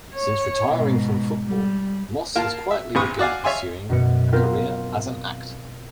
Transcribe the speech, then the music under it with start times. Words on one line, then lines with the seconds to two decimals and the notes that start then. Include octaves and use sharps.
Since retiring from football, Moss has quietly begun pursuing a career as an actor.
0.13 C#5
0.73 G#2 B2
1.47 G3
2.35 A#3 F4 A#4 A5
2.71 E5
2.95 A#1 C3 B4 C#6 D#6
3.19 F#4 D5 F5 G#5
3.44 C#5 E5 F5 G#5 C6
3.89 F#2 B2 C#7
4.32 B3 C4 F4 A#4 C5